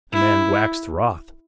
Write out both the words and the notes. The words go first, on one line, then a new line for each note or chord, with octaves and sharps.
The man waxed wroth.
E4